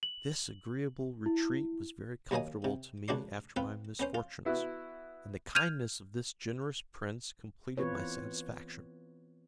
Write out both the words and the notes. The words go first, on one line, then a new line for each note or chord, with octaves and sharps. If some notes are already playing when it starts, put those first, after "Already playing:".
This agreeable retreat was very comfortable to me after my misfortunes, and the kindness of this generous prince completed my satisfaction.
F#7
E4
D#2 F#3 A#3 D#5 G#5
C3
C#2 D4 F#4 D5 C6
B3 C4 F4 B4
B3 C#4 C5
F4
B3 E4 F#4
F6 G6 G#6 D#7 F7
E3 B3 C4 F4 B4 C#5